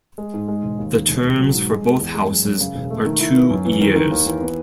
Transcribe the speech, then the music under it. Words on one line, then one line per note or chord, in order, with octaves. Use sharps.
The terms for both houses are two years.
G#3
G#2
G#3
E1
D#2
D#3
E1
E1
F#3
G#2
G#3
G#3
E2
G#3
F#2
F#2
C#3
E1
A3
D#3
E4
B3
F#2
E3
D#3
D#3
D#2
E3
B3